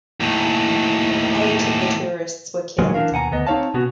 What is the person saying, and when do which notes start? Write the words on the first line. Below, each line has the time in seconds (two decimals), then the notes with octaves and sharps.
Eight of the tourists were killed.
0.20 D#2 A2
2.79 A#2 D3 F#3 G#3 C#4 G#4
2.94 E3 D4 A#4 F5
3.11 D#2 B2 F#5 G#5 A#5
3.32 D2 B3 D#5
3.47 C4 D#4 G4 C#5 F5 A5
3.74 B2 B3 C#4 F#4